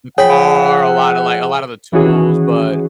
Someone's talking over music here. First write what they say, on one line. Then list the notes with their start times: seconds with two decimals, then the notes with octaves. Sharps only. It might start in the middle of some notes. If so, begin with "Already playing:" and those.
the car, a lotta like a lotta the tools, but,
0.18 F3 G#4 C#5 E5 F#5 G5 B5
1.92 D#3 E3 C#4 F#4 G#4